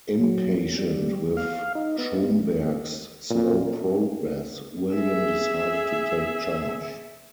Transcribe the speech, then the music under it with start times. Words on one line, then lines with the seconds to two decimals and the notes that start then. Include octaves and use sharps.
Impatient with Schomberg's slow progress, William decided to take charge.
0.20 F#3
0.78 G3
1.37 F5
1.75 D#4
1.98 B3
3.30 A#2
4.94 G#4 E5